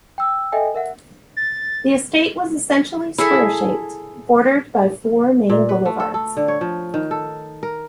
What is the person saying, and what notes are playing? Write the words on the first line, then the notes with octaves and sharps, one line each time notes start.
The estate was essentially square-shaped, bordered by four main boulevards.
G5 E6
A4 D#5 E5 G5 G#5
A#4 E5 F#5
A6
E4 G#4 A4 E5
A#2
B4
A3
A4
A4
D3
C#5
F3
D#3
A4
A#4